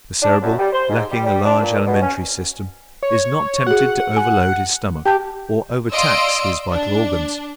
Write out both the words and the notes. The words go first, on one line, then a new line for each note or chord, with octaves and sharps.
The Cerebral, lacking a large alimentary system, is not tempted to overload his stomach or overtax his vital organs.
D4
F#2
G3
C5
G#2
G3
G3
D4
A#2
B2
C#4
C#5
F#4 G#4 F#5
G#5
G4 G5 A5 G6
D5 D#5 F5 C6 E6 D7
D4